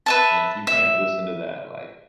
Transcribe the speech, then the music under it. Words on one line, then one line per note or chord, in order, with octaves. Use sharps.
and if you can't listen to that, like,
B4 E5 A5
E5